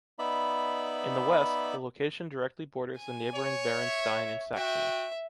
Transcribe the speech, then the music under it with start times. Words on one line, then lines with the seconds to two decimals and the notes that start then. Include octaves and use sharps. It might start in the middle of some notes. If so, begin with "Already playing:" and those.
In the west, the location directly borders the neighboring Bärenstein in Saxony.
0.19 B3 D#4 D5 E5 B5
2.97 G#5
3.34 C#5
3.76 E5
4.56 F#4 E5 G5